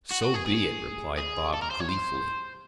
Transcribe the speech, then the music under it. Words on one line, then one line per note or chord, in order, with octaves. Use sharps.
"So be it," replied Bob gleefully.
F#4
F#4
G#4
G#4
G#4
A4
A#4
C5
C#5
C5